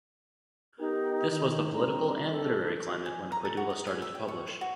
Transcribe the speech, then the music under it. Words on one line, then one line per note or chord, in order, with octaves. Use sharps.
This was the political and literary climate when Koidula started to publish.
B3 D#4 G4 A#4
D#3
G3 C4 D4 A#5
A4
G#5
A#5
A4
F#4
D#5
G#5
E5
G5
C#6
C5
F#4